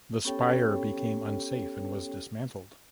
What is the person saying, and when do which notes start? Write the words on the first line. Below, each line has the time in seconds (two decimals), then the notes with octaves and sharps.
The spire became unsafe and was dismantled.
0.25 B3 C#4 G4 A4 C#5 G5